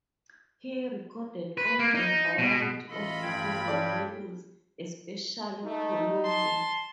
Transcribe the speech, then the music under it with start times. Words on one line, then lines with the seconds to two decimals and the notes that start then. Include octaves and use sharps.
He recorded on a variety of recording labels, especially Columbia.
1.58 B4
1.79 A#3
1.94 D#4
2.38 B2
2.90 A1 F4 A4 D#5 B5
3.22 G2 G5 G#6
3.68 C#4 A4 D5
5.64 A3 D#4
6.23 A5 C6